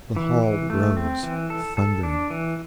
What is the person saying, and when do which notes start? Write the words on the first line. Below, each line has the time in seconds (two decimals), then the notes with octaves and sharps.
The hall rose, thundering.
0.16 E3
0.43 E3
0.70 A3
0.97 C4
1.23 E3
1.50 A4
1.77 A4
2.03 D4
2.30 E3